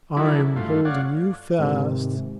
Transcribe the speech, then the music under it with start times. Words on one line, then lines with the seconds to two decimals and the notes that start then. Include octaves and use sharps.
"I am holding you fast!"
0.17 D#3 E3 F#3 D4 E4 A4
0.56 G2 A3 F4
0.85 C#5 D5 F5 F#5
1.59 G#2 C3 D#3